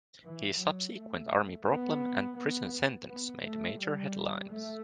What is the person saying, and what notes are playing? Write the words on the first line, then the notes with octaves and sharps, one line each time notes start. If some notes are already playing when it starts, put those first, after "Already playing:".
His subsequent Army problem and prison sentence made major headlines.
E3
F#3
A3
B3
B3
B3
A3
G3
A3